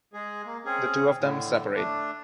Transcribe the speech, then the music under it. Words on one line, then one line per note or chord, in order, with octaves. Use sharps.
The two of them separate.
G#3 G#4
A#3
C4 C#4 G#4
A2 D3
A3 D4